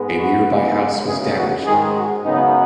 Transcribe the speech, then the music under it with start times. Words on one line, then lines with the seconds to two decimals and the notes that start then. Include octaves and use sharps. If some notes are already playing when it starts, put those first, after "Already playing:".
A nearby house was damaged.
Already playing: G#2 G#3 B3
0.18 F#4
0.46 F#2 C#3 G#3 B3
1.05 F#2 C#3 B3 G#4
1.36 F#4
1.65 G#2 D#3 G#3 G#4
1.95 F#4
2.24 F#2 C#3 F#3 B3 D#4